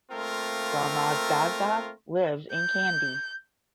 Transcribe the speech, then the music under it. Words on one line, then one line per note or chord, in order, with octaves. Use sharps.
Dharmadasa lives in Kandy.
A3 A#3 C4 F4 A#4
G6